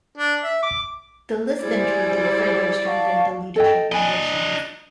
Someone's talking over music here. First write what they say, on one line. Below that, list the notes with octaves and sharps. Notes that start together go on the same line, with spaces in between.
The Lisbon Treaty further strengthened the leadership ambitions.
D4
E5
D6
G3 E4 G#4 C5 D5 G#6
F5 A5 C#6
A4 D#5 G5
D4 D#5 G#5 B5